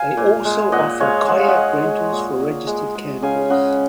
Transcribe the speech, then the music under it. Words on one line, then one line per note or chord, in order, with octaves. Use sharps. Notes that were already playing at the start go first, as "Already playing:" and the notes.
They also offer kayak rentals for registered campers.
Already playing: F5 G#5
A#2
G#3
A#2 D#5 F#5
G#3 C#5 F5
G#3 F#5
F5
D#5 F#5
G#3
G#3
A#2
A#2
G#3
G#3
C#3 F5 G#5
C#3 D#5 F#5